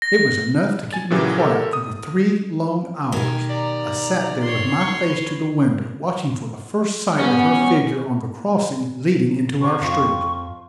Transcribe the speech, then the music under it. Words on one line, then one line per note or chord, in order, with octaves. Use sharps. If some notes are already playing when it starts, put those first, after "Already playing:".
It was enough to keep me quiet for the three long hours I sat there with my face to the window, watching for the first sight of her figure on the crossing leading into our street.
A#6
G#5 A6
A#2 C#3 E3 F#3 G4
G4 A4 A#4
D#6
B2 D#3 G4 G#5
D5 A#5
C#5 C6
F1 C#6
B4
G3 B3 C#4
C3 C#6
F2 F4 G5 C#6